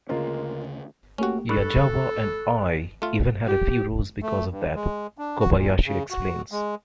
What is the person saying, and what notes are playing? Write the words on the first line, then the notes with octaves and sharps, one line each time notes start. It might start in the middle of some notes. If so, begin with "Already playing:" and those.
"Yazawa and I even had a few rows because of that," Kobayashi explains.
D2 C#3 G#3 A#3 C#4 F4
A3 A#3 C#4 F#4 G4
G2 A4 B5 C#6 F#6
A3 F4
G4
A3
G2
G#3
D4
F#4
A#2
C#3
F#4
G#3